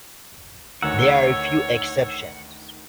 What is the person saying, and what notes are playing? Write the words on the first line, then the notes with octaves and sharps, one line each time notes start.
There are a few exceptions.
D2 D#3 C#5 F#5 A#5 E6